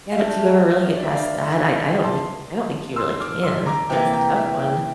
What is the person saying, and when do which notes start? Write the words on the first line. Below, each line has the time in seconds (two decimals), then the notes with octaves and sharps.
Yeah, but do you ever really get past that? I I don't think I don't think you really can. That's a tough one.
0.12 F5
0.18 A3 D4 G4 A#4 E5
0.96 D5
1.03 E5
1.10 D5 F5
2.04 A5 C6
2.96 C6 E6
3.20 D6 F6
3.43 C6 E6
3.66 A#5 D6
3.90 C3 E3 A#3 G5 A#5
4.13 G5 A#5
4.36 E5 G5
4.59 E5 G5